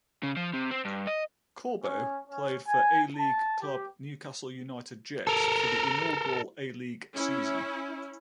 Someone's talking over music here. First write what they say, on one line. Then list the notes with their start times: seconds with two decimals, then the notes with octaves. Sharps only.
Corbo played for A-League club Newcastle United Jets for the inaugural A-League season.
0.23 C#3
0.37 F3
0.53 C3
0.71 C4
0.85 G2
1.07 D#5
1.83 C#4
2.28 C#4
2.66 G#5
3.16 A5
3.62 G4
5.27 A4 A#4
7.14 C#4 E4